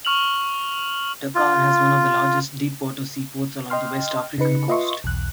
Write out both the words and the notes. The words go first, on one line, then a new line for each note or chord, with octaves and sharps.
Dakar has one of the largest deep-water seaports along the West African coast.
C#6 F6 F7 F#7
F4
D#5 G5 C6 F6
C#3 D#4 B4 C#7
F4 B4 D#5 E5 C6 C#6
B1 E2 F#6